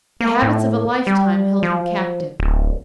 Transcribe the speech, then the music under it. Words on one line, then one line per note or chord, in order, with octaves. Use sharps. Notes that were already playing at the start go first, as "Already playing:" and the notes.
The habits of a lifetime held him captive.
A#3
A2
G3
F3
D1